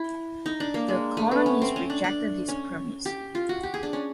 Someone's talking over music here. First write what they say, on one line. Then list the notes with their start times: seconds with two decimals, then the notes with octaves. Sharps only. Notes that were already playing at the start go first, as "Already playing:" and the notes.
The Colonies rejected this premise.
Already playing: E4
0.46 D#4
0.60 D4
0.74 A#3
0.88 G#3
1.17 A3
1.31 B3
1.46 C#4
1.62 C4
1.76 C#4
1.90 D4
2.04 D4
2.48 C#4
3.06 G4
3.35 F4
3.49 F#4
3.63 G4
3.74 G#4
3.83 D4
3.93 C#4